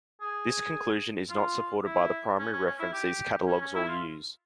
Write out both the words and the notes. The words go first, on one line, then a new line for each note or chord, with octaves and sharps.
This conclusion is not supported by the primary reference these catalogs all use.
G#4
F4
E4
C#4
C#4
C#4
E4
G4
C#4
C#4
E4
F4